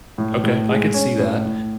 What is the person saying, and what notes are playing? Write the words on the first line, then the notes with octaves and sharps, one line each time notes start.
Okay, I could see that.
A2
A2
G#3
C#4
A2
A2